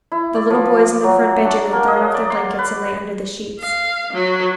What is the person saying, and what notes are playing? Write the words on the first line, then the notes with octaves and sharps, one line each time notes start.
The little boys in the front bedroom had thrown off their blankets and lay under the sheets.
E4
D5
F3
D6
F#3
D4
A#3
D#5
D5
C6
B4
F5
F#3